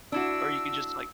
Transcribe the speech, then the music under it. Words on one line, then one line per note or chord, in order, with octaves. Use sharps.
Or you could just, like,
D4 E4 F#4 E6